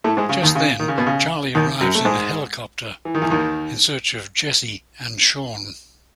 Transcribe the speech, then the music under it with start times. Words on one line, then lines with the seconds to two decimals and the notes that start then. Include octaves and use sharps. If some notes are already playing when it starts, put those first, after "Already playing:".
Just then Charlie arrives in a helicopter in search of Jessie and Sean.
0.04 A2 A3
0.17 G#2 G#3
0.29 C#3
0.42 D#2 D#3
0.55 C#3
0.79 D#3
0.88 C#3
0.98 B2
1.06 C#3
1.55 D#2 D#3
1.81 F#2 F#3
1.95 A3
2.05 G#2 G#3
3.05 E3
3.15 D#3
3.22 E2 E3
3.30 D#2 D#3